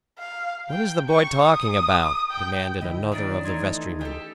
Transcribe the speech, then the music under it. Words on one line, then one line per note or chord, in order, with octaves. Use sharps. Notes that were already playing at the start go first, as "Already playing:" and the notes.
"What is the boy talking about?" demanded another of the vestrymen.
F5
G5
C#6
D#6
G5
D2 E4 D#5
D#3 D4 D5 D#6
C#5
E3 A3 D#4 C6 D#6 G#6
G4 A4